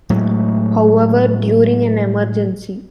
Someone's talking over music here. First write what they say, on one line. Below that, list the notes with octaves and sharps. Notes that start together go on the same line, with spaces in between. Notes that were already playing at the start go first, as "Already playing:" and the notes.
However, during an Emergency!
A2 F#3 G#3 A3